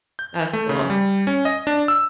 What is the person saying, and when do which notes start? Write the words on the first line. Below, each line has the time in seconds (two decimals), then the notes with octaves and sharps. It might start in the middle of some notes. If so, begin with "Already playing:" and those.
That's cool.
0.19 G6
0.53 A3
0.69 C#3
0.90 G3
1.27 C#4
1.45 D#5
1.67 D4
1.88 E6